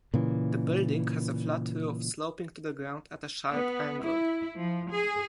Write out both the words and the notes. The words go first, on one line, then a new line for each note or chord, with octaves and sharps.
The building has a flat roof sloping to the ground at a sharp angle.
A#2 C#3 E3
B3
E4
F3
G#4